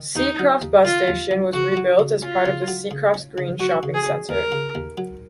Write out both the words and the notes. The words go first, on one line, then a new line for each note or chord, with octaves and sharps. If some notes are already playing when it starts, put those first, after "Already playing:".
Seacroft bus station was rebuilt as part of the Seacroft Green Shopping Centre.
Already playing: D#3
D#2 D#4
F#3
D#2
D#3 F4
D#2
F#3
C#3 F#4
F#3
C#3
C#4 F4
C#3
F#3
C#3
C#4
C#3
F#3 F#4
C#3
G#4
C#4
D#2 A#4
C#3
D#2
F#3